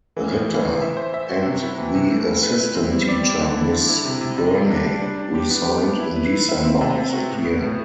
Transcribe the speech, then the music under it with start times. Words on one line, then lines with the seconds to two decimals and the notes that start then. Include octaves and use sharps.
Ritter, and the assistant teacher Ms Gurney, resigned in December of that year.
0.16 E3
0.32 A2
0.49 E3
0.64 E3
0.82 E5
0.97 C5
1.14 E5
1.29 F#4
1.45 C3
1.62 E4
1.78 E3
1.95 C3
2.10 A3
2.27 E4
2.43 B4
2.60 E4
2.75 C4
2.92 G3
3.09 D5
3.24 D5
3.40 D3
3.57 E4
3.72 D3
3.90 E4
4.05 C3
4.21 C3
4.38 C3
4.54 G3
4.71 D4
4.87 D4
5.02 D4
5.19 D4
5.35 G4
5.50 B3
5.68 G4
5.83 B3
6.00 E4
6.16 B4
6.32 E4
6.49 E5
6.65 C4
6.81 C3
6.96 C4
7.13 F#4
7.30 A2
7.45 B3
7.62 A2